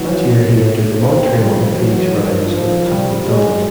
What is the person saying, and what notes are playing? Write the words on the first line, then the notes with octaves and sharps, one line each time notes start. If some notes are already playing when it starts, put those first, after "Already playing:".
That year he entered the Montreal and Phoenix rounds with Pat MacDonald.
Already playing: E3 F#3
A#3 C4
F3 G3
E3 F#3
D#3 F3
D#3 F3
F3 G3
F#3 G#3